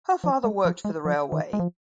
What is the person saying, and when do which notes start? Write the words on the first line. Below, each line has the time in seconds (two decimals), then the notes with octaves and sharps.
Her father worked for the railway.
0.24 F3
0.44 G#3
0.65 F3
0.85 G#3
1.05 F3
1.32 D#3
1.53 G#3
1.60 F3